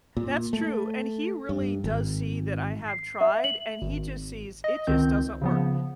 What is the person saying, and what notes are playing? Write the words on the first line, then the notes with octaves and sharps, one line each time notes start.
That's true, and he really does see that I have tried, and he just sees it just doesn't work.
A#2
A3
G2
G#1
C7
E5
F#7
G#1
D#5
C#2 D#3 C4 G6
C#3 F3 B3